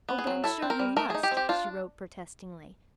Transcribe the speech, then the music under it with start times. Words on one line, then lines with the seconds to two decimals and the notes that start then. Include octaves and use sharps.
"Oh, but I am sure you must," she wrote protestingly.
0.09 B3
0.19 G#4
0.27 F#3
0.44 E4 A4
0.62 C4
0.70 A#4
0.79 G3
0.97 A3 A#4
1.10 G#4
1.15 D#4
1.23 G4
1.31 C4
1.37 G4
1.49 D4 F4